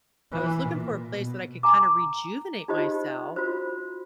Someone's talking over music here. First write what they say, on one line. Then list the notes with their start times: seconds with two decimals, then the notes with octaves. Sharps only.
I was looking for a place that I could kinda rejuvenate myself,
0.32 E3
0.62 A#2
1.11 B2
1.63 G#5 A#5 D6
2.68 D#4 F4 G4 C5 D#5
3.36 F4 F#4 C5